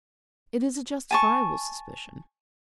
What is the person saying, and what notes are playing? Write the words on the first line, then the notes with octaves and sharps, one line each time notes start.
It is a justifiable suspicion.
G#5 A5 C#6